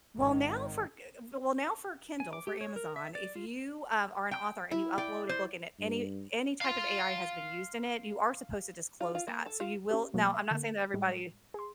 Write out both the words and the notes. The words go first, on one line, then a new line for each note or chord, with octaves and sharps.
Well, now for g g well, now for Kindle, for Amazon, if you, um, are an author and you upload a book and it any any type of AI has been used in it, you are supposed to disclose that. So you will now I'm not saying that everybody
G#1 D#3
G#5
D6
G4
C#5
A#4
E5
D5
F4
G5
E4
D5 G5
C5
G2
F5 C6
F4
F4
A#3
A4
F4
C#4 G4
B2 F#3 A3 A#3
E5
D3 A#3
A2 G3 G#3
G#4 C6